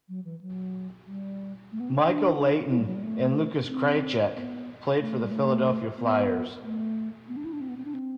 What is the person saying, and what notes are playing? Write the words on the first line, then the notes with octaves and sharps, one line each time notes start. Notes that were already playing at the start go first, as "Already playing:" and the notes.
Michael Leighton and Lukas Krajicek played for the Philadelphia Flyers.
F#3
E3
F#3
G3
A3
B3
C4
D4
E4
G3
F#3
G3
A3
C4
B3
A3
G3
A3
B3
A3
B3
D4
E4
D4
C4
B3
C4
D4
C4